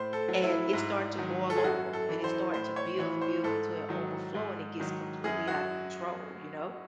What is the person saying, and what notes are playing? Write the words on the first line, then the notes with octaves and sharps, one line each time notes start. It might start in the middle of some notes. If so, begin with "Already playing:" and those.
and it start to boil over, and it start to build, and build until it overflow, and it gets completely out of control, you know.
Already playing: A2 C5
A4
F#3
E4
G#2
D#3 F#3
A4
G#4
F#2 F#4
A4
E3
C5
A2 C5
C#5
E3 C#5
C5
G#2 A4
D#3 F#3
G#2
D#3 F#3
F#2 G#4
F#4